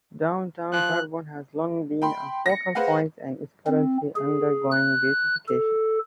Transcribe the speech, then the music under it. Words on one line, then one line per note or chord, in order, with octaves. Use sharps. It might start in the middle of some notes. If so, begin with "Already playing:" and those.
Downtown Tarpon has long been a focal point and is currently undergoing beautification.
F3 F#6
G5 B5 C6
A#6 C#7
G#4 B4 C5 F5 F#5
C4
G#4
F#6
A4